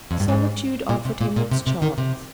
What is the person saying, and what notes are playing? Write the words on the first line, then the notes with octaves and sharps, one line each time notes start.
Solitude offered him its charms.
F2
G2
G#2
A#2
C3
A#2
A#2
C3
C3
D#3
C3